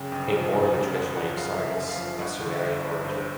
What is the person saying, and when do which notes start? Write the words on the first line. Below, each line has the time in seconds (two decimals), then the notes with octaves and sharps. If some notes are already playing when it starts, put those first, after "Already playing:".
It bore the traditional name "Sargas", of Sumerian origin.
Already playing: F#2 C#3 G5
0.12 G1 G5
0.32 F3
0.52 F#2
0.74 C#3
0.95 G1 F#5
1.16 F3 F#5
1.37 F#2 F5
1.57 C#3 E5
1.79 G1
1.89 F5
1.99 F3
2.20 G2 F#5
2.41 D3
2.52 E5
2.62 G1
2.83 G1 B4
3.04 G2 C5